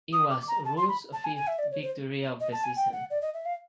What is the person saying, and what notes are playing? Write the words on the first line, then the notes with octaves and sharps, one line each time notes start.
It was Ruud’s fifth victory of the Season.
D#6
D6
A#5
A5
C6
B5
A5
G#5
G#5
E5
D5
C#5
C5
D#5
A5
G#5
G5
F#5
D5
D#5
E5
F5